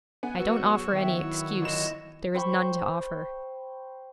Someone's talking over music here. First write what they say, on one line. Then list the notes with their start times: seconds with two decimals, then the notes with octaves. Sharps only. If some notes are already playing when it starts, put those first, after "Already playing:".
'I don't offer any excuse; there is none to offer.
0.23 B3 G#5
0.40 F#3 F#4 B4 C#5 E6
0.66 G#4
0.93 D#3 E5 G5
1.22 E4
1.62 G1 E4 D#5 E7
2.35 C5 G5 B5 C#6